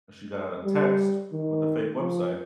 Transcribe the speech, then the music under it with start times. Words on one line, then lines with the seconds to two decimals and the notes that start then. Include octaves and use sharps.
she got a text with a fake website
0.64 G3
1.32 D#3
1.99 F3